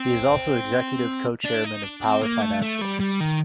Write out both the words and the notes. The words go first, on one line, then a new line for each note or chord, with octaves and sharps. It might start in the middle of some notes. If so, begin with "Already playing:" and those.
He is also Executive Co-Chairman of Power Financial.
Already playing: C4
D4
D#4
D4
C4
A#3
A3
A3
G3
G3
D#3